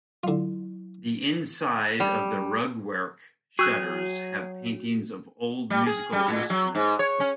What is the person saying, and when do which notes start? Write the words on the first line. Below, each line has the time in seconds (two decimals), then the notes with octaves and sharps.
The inside of the 'rugwerk' shutters have paintings of old musical instruments.
0.23 D3 F#3 E4 F4
2.00 G3
3.59 F#3 F#4 G#4 C#6 E6 F#6
5.70 G3
5.86 G#4
6.12 G3
6.28 A#2
6.50 F#3
6.75 G#2
6.99 C#5
7.20 C#4